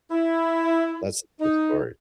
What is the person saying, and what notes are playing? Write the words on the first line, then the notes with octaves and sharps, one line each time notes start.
That's another story.
E4
D#4